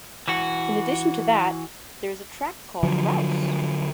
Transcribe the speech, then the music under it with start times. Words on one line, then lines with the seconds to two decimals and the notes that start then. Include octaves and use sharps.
In addition to that, there is a track called Raus!
0.28 E3 F#4
2.83 D3 F3 F#3